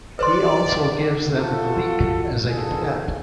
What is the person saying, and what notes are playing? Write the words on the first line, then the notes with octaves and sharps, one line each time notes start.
He also gives them Gleek as a pet.
B4 C5 D5 C6
F4 F#4 A4
B2 D3 D#3 F4 G#4 A4